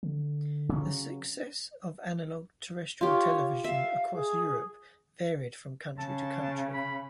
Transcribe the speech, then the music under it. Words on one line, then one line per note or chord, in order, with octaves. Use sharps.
The success of analogue terrestrial television across Europe varied from country to country.
D3
C#3 F#3 C#4
F4 G4 C#5
E5 F5
G#4
C#3 A5
B5